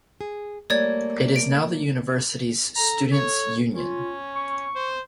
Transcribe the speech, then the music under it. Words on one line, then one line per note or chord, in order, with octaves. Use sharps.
It is now the university's Students' Union.
G#4
G3 A3 A#3 C#5 D5 G#6
D7
A4 A#5
C#5
C#4 F4
C#6
C5